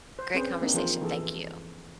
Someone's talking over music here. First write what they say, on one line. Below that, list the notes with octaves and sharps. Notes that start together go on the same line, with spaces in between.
Great conversation, thank you.
C5
C4 C#4 G#4 B4 C5
A#3 C4 D4 D#4
E3 F3 F4 G#4 A#4 C5
E3 A#3 G#4 A4